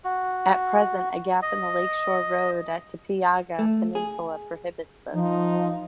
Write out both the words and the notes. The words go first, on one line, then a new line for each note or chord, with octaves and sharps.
At present a gap in the lake shore road at Tepeyaga peninsula prohibits this.
F#4
D#5
A3
G#4
F3 D#4